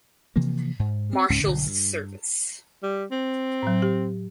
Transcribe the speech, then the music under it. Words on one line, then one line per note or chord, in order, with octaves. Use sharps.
Marshals Service.
C3 E3 F3 A#3
G#2
C4
C#2 G#2 C#4
B1 G2 D3
G2
G3
C4
A2 F#3
G4